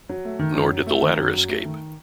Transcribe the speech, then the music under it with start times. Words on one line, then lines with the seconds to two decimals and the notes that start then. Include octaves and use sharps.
Nor did the latter escape.
0.09 F#3
0.25 A3
0.39 D#3
0.55 F#2
0.72 F#3
0.87 A3
1.02 D#3
1.18 F#2
1.34 F#3
1.48 A3
1.65 D#3